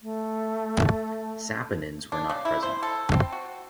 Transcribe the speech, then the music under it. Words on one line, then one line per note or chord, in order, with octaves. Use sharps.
Saponins were not present.
A3
D4
C#3
E4
C5
A4
C4
F#4